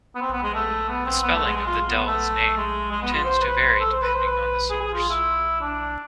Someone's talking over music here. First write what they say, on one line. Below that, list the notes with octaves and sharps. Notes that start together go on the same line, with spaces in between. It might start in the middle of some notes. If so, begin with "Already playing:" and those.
The spelling of the dell's name tends to vary depending on the source.
B3
C4
B3
G#3
A3
B3
C4
B3
A3
G#3
G#3
F4
B3
A3
G#3
G#3
B3
F4
C5
B4
B4
C5
A4
C5
B4
C5
B4
G#4
G#4
F4
E4
D4